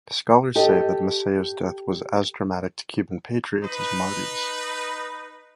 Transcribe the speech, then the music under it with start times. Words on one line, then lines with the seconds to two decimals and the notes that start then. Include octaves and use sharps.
Scholars say that Maceo's death was as traumatic to Cuban patriots as Marti's.
0.55 G4 A4 D#5 G5
3.63 D#4 B4